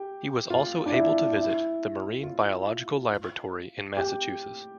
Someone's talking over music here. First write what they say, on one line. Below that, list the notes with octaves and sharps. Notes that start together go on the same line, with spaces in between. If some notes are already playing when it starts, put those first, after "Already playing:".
He was also able to visit the Marine Biological Laboratory in Massachusetts.
Already playing: G4
F4
D4
E4
E4
F4
G4